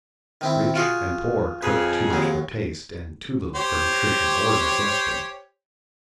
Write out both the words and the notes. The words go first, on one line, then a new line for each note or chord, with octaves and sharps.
Rich and poor cook too much for taste and too little for nutrition or digestion.
D#3 C4 E4
F4 F#4 G#4
F2 G#4 B4
D#2 F#3
G4 C5 C#5